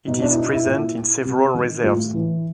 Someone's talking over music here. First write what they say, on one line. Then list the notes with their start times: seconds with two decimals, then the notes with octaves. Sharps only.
It is present in several reserves.
0.07 B2 D#4
0.22 D4
0.30 E4
0.37 D#4
0.52 E4
0.66 A#2
1.25 C3
1.54 D#3
1.84 A2 F4
2.14 E3